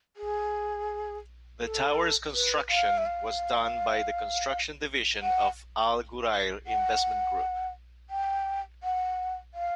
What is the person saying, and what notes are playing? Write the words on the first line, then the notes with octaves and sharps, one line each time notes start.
The tower's construction was done by the construction division of Al Ghurair Investment group.
G#4
A4
B4
F5
E5
F5
F#5
F#5
G5
F#5
F5